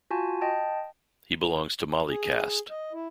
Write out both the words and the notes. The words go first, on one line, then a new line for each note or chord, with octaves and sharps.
He belongs to Mali caste.
F4 F#4 G#5 A5
D#5 G5 A5
G#4
D#5
E4